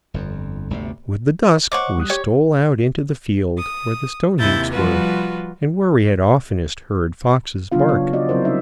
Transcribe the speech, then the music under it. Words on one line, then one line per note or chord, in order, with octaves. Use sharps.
With the dusk we stole out into the field where the stone-heaps were, and where we had oftenest heard foxes bark.
G1 F2
G1 D2 C3
C5 C#5 D#5 F#5 C#6 D6
G3 D#6 F#6
G4 C#5
D#6
D#2 C3 E4 G6 A6
F3 G3 F4 F#4 B4
C#3 F#3 B3 D4 F4 F5
C#5
F3 F#3 B3 F#4 D5 D#5
C3 F#3 C4 E4 A#4 C5
G3 C#4 D#4 E5